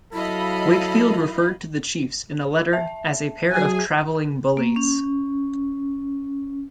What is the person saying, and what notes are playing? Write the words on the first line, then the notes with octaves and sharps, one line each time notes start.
Wakefield referred to the chiefs in a letter as a pair of "travelling bullies".
F#3 E4 A4 D#5 F5 B5
E5 A5
F#3 G#4 G#5
A#3
C#4